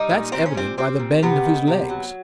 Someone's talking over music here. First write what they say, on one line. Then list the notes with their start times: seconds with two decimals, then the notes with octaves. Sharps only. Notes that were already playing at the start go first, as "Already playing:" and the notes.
That's evident by the bend of his legs.
Already playing: G3 D#4
0.09 A#2
0.32 A#2 C4
0.46 C#4
0.54 G3 C4
0.78 G3 C4
0.99 A#2
1.22 C3 B3
1.45 D#3
1.67 C3
1.89 F#3